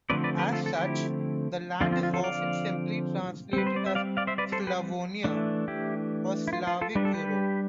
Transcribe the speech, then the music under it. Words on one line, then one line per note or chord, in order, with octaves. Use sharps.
As such, the land is often simply translated as "Slavonia", or Slavic Europe.
D3 F3 A3 C4 B4 D5
B4 D5
G4 B4
F4 A4
A4
E4 G4
D3 F3 C4 F4
F4
F4
F4 A4
D5 F5
G3 C4 B4
C5
D5
E5
D5 F5
D5 F5
C5 E5
B4 D5
A4 C5
G4 B4
E3 A3 D4
E4 G4
E4
F4
F4
F4 A4
G3 D4 B4
A4
G4 B4